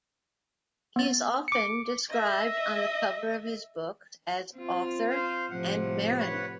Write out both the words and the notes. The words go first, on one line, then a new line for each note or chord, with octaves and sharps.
He is often described on the cover of his books as "author and mariner".
B3 A6
D6 C#7
D#5 E5
C4 F4
C5 F5
A2 C3 F3 F#5
B4 C#5 F#5